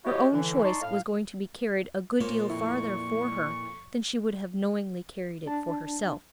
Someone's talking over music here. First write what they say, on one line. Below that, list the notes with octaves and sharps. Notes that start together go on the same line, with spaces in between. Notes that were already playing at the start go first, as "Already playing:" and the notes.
Her own choice was going to be carried a good deal farther for her than she would have knowingly carried it for herself.
E4 F#4 G4 C#5 D#5
A2 D3 E3
D#4 D5 A5 C6 C#6
A2 F5
A#2 A#3 C5 C#5
F2 E4 C#6
D4 A5